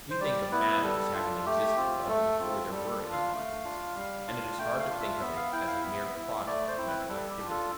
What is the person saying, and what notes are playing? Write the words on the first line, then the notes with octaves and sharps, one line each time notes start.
We think of matter as having existed long before there were any minds, and it is hard to think of it as a mere product of mental activity.
C5
G3 D5
B3 E4 B4
G3 A4
D4 F4
A3 G4
C4 F4
A3 A4
C4 F4
G3 A4
A4
D4 F4
F5
A3
D4 F4
G3
D4 F4
A3 G5
F5
D4 F4
E5
B3 E5
F5
E4 G5
F5
B3 E5
E4
A3 D5
C5
C4 E4
B4
G3 A4
G4
D4 F4
A4